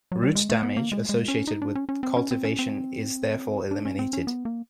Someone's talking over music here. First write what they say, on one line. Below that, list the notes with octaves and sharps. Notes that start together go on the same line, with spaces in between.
Root damage associated with cultivation is therefore eliminated.
F#3
G3
G#3
A3
B3
A#3
G#3
G#3
C#4
D#4
D4
C#4
C#4
C4
C#4
C4
C#4
C4
D4
C#4
C4
C#4
B3
A#3